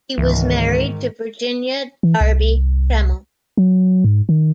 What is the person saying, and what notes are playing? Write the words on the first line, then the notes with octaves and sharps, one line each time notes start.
He was married to Virginia Darby Trammell.
C#2 G#2 D#3 E3
E3
C2
F#3
G#2
D#3